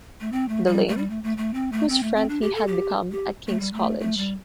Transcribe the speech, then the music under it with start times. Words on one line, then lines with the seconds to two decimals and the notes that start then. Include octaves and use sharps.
Delane, whose friend he had become at King's College.
0.21 A3
0.32 C4
0.49 A3
0.66 G3
0.89 A3
0.97 G3
1.10 A3
1.24 A3
1.37 A3
1.54 C4
1.72 A3
1.89 C4
2.03 A3
2.15 C4
2.29 D4
2.42 G4
2.55 A4
2.67 G4
3.12 G4
3.48 A3
3.60 G3
3.73 A3
4.00 A3
4.17 G3